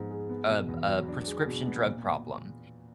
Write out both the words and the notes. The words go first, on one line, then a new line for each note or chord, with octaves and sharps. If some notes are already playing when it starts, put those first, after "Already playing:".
a a prescription drug problem
Already playing: G#2 F3 B3
G#3
B3
B2
E2
F#3
D4
G#3
B2
B3
A#2